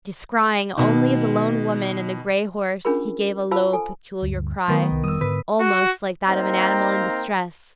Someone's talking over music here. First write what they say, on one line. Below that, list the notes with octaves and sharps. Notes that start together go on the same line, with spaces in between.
Descrying only the lone woman and the gray horse, he gave a low peculiar cry, almost like that of an animal in distress.
B2 D#3
C#4 D4 F4 G#4 A#4 B5
F4 C5 F5 A5 B5 E6
A4 G#5
D2 G2
D#3 F3 F#3 A3 B3 A#4
C2
F1 G3 D#6 E6
G#2 D3 B4
F#4
A#3 C4 D#4 F5 G5 A#5